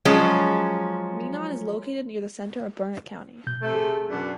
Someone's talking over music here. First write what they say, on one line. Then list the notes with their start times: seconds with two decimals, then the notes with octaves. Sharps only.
Meenon is located near the center of Burnett County.
0.05 F3 F#3 G#3 C#4
3.47 B2 G6
3.62 C3 A3
3.75 G#4
4.09 F#2 B2 D4